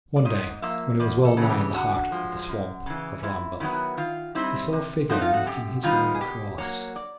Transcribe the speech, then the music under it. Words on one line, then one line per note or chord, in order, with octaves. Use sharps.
One day when he was well-nigh in the heart of the swamp of Lambeth he saw a figure making his way across.
D5
G#2 D#5
F3 A#3 E5
E2 D5
A4
C#3 E3
G4
D3 F#4
F3 G#3
F#2
C#3 E3
F#2 E4
D#3 F#3 B3 E4
D#3 F4
G3 C4 D#4 E4
C3
F3 A3 C4 D#4 F#4
F4
F#4
F#2 G4
D#3 G3 B3 D#4 F4
G#4
B2 G4
F#3 A#3 C#5
D5